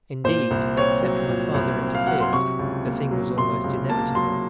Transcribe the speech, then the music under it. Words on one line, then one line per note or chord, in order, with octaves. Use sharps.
Indeed, except my father interfered, the thing was almost inevitable.
A#2 C5
C2
C4 C#5
F#3
A#2
C2
C4
F5
F#3 F#5
C6
C3 C#6
C#2
A#3
F#3
C3 C6
C#2
A#3 A5
F#3 C6